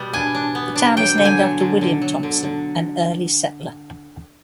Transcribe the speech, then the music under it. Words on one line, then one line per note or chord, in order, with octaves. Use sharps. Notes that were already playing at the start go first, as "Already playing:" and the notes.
The town is named after William Thompson, an early settler.
Already playing: B2 G3 B3
D4 G#5
D4
B3
D4
F#3 G5
D3
G#5
F#3
D3
D3
F#3
D3
D3